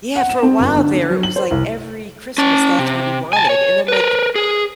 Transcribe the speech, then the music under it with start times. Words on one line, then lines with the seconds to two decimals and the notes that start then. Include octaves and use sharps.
Yeah, for a while there, it was like every Christmas, that's what he wanted, and I'm like,
0.16 F#5
0.29 E7
0.42 C4
0.60 G1
0.76 D3
0.93 D3
1.10 F#3
1.23 F#7
1.36 C5
1.51 C2
2.38 C#4 A5
2.79 C3
3.33 G#5 A5
3.49 C#5
3.88 A#4 B4
4.36 G#4